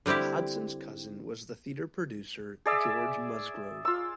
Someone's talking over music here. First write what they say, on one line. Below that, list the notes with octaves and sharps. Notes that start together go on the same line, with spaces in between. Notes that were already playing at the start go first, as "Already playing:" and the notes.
Hodson's cousin was the theatre producer George Musgrove.
D3 G3 C4 E4 G4
G#4 D5 E5
F4 E6